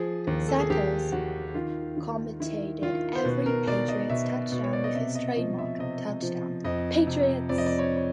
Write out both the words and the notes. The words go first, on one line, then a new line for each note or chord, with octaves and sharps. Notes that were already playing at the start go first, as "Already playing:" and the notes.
Santos commentated every Patriots touchdown with his trademark Touchdown, Patriots!
Already playing: F3 G#4
D#2
A4
G#4
D#2 G4
D#2 F#4
D#3 F4
D#3
D#3 E4
D#3 F4
C5
B2 B4
A#4
B2 D5
D#5
B2 E5
B2
C#5
D5
D#5
C3 E5
D#5
F3 D#5
E5
C3 D#5
F3
F2 D#5
C3
F2 D5
D#5
D5
C#5
C#5